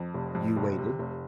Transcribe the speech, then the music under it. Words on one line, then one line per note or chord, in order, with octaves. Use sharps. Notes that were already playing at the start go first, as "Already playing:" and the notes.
You waited.
Already playing: F2
F1
F2
F1
C3
F1